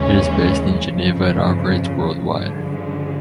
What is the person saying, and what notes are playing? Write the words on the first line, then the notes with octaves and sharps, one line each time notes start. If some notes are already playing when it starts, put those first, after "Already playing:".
It is based in Geneva and operates worldwide.
Already playing: D#2 C#3 E3 G#3 C#4
G1 F2 C#3 F3
G2 D3 F3 G#3